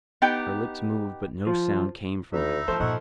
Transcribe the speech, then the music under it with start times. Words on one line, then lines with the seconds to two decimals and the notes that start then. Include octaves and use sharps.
Her lips moved; but no sound came from them.
0.22 B3 D#4 G4 G5
1.47 F3
2.33 D2 D#4 E4 E5
2.68 E3 F3 A3 A4 C5
2.80 G2 A#2 D#4 C#5 E5 F#5